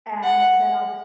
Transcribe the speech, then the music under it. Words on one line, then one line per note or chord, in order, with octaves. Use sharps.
and then I'll just
F#5